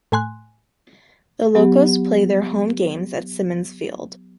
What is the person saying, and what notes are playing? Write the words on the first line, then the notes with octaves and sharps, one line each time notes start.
The Locos play their home games at Simmons Field.
A2 A3 G#5 C6 F#6
F#3 B3 G4